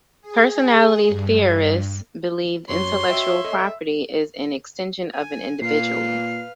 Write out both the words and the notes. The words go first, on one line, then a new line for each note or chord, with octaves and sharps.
Personality theorists believe intellectual property is an extension of an individual.
G#4
G2
F#2 F#3 C#5 C6
F#4 D#5 E5 G5
A4 D#5
G#5
A#2 B4 F5 C7